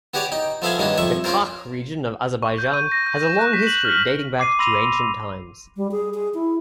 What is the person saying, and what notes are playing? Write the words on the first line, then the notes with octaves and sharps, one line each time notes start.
The Qakh region of Azerbaijan has a long history dating back to ancient times.
B3 F#4 G4 C#5 D5
D#4 G5
F3 B3 A4 E5 F5 G#5
G2 D#3 A#3 B3 C#4 D4
F2 F3 E5 C#6
C#4 F4 A#4 C5
C#6
G6
D#7
A#6
G6
E7
F#6
B6
F#7
F6
D6 C7 D#7
B5 C6 E6 A#6 D#7 F7
G3
G#4
G#4
E4